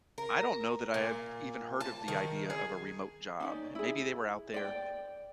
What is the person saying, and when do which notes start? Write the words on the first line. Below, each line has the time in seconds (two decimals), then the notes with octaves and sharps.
I don't know that I have even heard of the idea of a remote job. Maybe they were out there,
0.18 A#4
0.94 A#2
1.81 A5
2.08 D#3
2.50 G#4
3.40 C#4 D#4 D5
3.75 E4 G#4
4.54 D5 G5